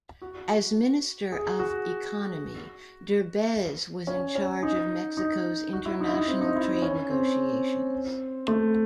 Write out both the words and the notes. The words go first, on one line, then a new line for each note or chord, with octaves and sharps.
As Minister of Economy, Derbez was in charge of Mexico's international trade negotiations.
F#4
G#4
F#4
C#4
C#4
D#4
D#4
F#4
E4
D#4
E4
D#4
C4
D#4
E4
D#4
C#4
C4
A3